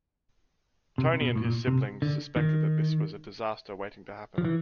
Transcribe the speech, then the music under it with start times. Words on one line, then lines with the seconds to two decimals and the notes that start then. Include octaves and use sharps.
Tony and his siblings suspected that this was a disaster waiting to happen.
0.98 C3
1.13 C3
1.21 B2
1.36 A2
1.45 A#2
1.67 C3
2.02 D3
2.36 D#3
4.38 F3
4.45 E3